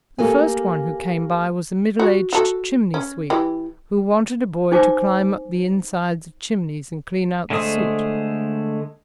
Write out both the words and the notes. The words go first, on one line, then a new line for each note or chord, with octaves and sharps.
The first one who came by was a middle-aged chimney-sweep, who wanted a boy to climb up the insides of chimneys and clean out the soot.
A#3 G4 A4 G#5
F#4
F#4 A4
C#4
E3 G4
D#4 C5 G#5 D6
D3 G#3 A3 C5 D#6